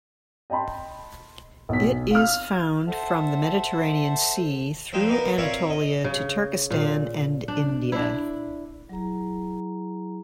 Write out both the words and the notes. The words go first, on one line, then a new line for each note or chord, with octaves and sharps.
It is found from the Mediterranean Sea, through Anatolia to Turkestan and India.
D#5 G5 A5 B5 C6
B1 B6
F5 F6
A4 C5 E5 F#5 A5
F3 D4 D#4 G4 C5
A#3 B3 D#4 A#4
C4 F4 A#4 C#5 D5 E5
D#5
C#3
A#2
D4
D4 E4
F#3 E4 G#4 A#5